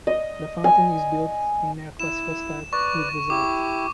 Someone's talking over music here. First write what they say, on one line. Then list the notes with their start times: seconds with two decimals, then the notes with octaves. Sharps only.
The fountain is built in Neoclassical style with basalt.
0.07 D#5
0.64 G#5
2.00 E4 E7
2.73 B4 D5 C#6
3.30 E4 G4 D6